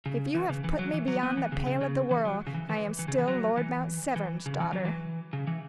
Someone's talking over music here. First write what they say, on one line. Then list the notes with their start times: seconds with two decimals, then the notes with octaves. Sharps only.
"If you have put me beyond the pale of the world, I am still Lord Mount Severn's daughter!"
0.06 C#3
0.35 E3
0.49 C#3
0.64 E3
0.79 F#3
0.93 E3
1.08 F#3
1.23 B3
1.37 E3
1.52 C#3
1.67 C#3
1.81 C#3
2.11 E3
2.25 F#3
2.47 C#3
2.55 E3
2.69 E3
2.99 E3
3.08 C#3
3.18 E3
3.28 F#3
3.57 E3
4.16 E3
4.46 C#3
4.60 E3
4.73 F#3
4.85 E3
5.33 C#3
5.47 E3